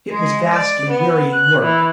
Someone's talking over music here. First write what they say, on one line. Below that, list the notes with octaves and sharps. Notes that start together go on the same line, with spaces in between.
It was vastly wearying work.
G#3
D5
B3
F#6
E3